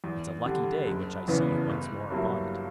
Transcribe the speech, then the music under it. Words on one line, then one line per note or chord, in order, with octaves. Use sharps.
"It's a lucky day which I see you once more upon it."
E2
D3 G3
F#1
E2 C#3 E3 B3
G1
G2 F#3 A#3 E4